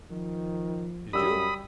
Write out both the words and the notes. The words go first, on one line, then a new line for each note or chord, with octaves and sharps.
"Did you...."
D#3 F3
F#2 G3 G4 B5 D#6 E6